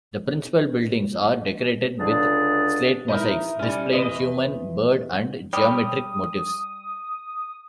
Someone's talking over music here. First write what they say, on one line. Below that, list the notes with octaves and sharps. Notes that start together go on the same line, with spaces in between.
The principal buildings are decorated with slate mosaics displaying human, bird and geometric motifs.
C#2 D3 D4 G#4
D#4 E4 A#4
G3 C#4
E2 B4 D#5
G3 D#6